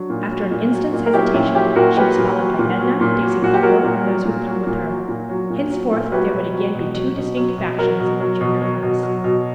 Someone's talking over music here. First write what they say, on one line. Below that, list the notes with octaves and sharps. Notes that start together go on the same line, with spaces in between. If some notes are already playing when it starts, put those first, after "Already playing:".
After an instant's hesitation, she was followed by Edna, Daisy Culver and those who had come with her. Henceforth there would again be two distinct factions in the junior class.
Already playing: F#3 D4
A#2
F#3
A#2
F#3
A#2
A#4
F#3 E4 G4
A#2 C#4 E4
F#3 E4 G4
A#2 F#4 A#4
F#3 G4 B4
A#2
F#3
A#2
F#3
A#2
F#3
A#2 F#4
G4
F#3 F#4 A#4
A#2
F#3
A#2
F#3
A#2
F#3
A#2
F#3
A#2
F#3
A#2
F#3 G4 B4
B2
F#3
B2
F#3
B2
F#3
B2
F#3 F#4 A#4
B2
F#3
B2
F#3
B2
F#3
B2